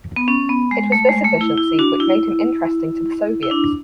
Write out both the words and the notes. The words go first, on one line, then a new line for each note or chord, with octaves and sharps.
It was this efficiency which made him interesting to the Soviets.
B3
C#4
B3
G#3
A3
G#3
A3
E4
E4
D4 F#4
E4
E4
D4